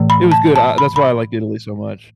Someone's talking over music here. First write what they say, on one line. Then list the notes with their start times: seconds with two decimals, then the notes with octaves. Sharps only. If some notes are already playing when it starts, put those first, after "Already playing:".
it was good. I that's why I liked Italy so much,
Already playing: A2 E3 A3
0.10 B5
0.32 A5
0.56 A5
0.78 B5
0.96 B5